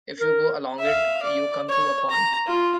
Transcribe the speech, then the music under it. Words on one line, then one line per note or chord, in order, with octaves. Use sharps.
If you go along it, you come to a pond.
A#4
E5 F5
D5
C#5
A#5
F4